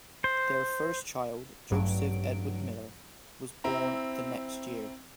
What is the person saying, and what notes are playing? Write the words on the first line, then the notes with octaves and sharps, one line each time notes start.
Their first child, Joseph Edward Miller, was born the next year.
C5
A1 G2 F#3 D7
C4 E4 A#5